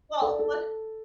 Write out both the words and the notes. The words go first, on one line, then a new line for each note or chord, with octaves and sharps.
Well, what
A4 D5
A4